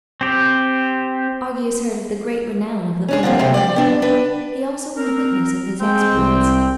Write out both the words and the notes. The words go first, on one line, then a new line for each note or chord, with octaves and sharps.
Argius heard of the great renown of the unknown knight; he also was witness of his exploits.
C4 G4
C#4 D4 G#4
D3 F3 A#3 C4
C3 G#3 A3 C4
D5 G5
B3 D4
D4 B4
C4 A#4
G#3 C4 G5
C2